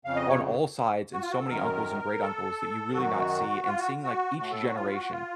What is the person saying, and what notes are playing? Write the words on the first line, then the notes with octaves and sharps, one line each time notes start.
on all sides, and so many uncles and great-uncles that you really not see, and seeing, like, each generation
F2 C#3 F5
D#5
C#5
F#4
F4
F#4
A4
F#2 D#3 A#4
A4
F#2 D#3 F#4
F4
F#4
F#4
A2 F#4
A4
F#4
F4
F#4
F4